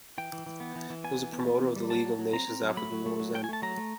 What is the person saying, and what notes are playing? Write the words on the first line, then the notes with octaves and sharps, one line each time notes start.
It was a promoter of the League of Nations after the war's end.
E3 G5
E3
E3
B3
E3
E3
B3 G#5
E3
B3
B3
E3
G3
F#3 A5
F#3
F#3
C4 A#5
C4
F#3
A3 B5
F#3
A3
F#3
A3 G5
G#5
A3 A5
F#3 A#5
A3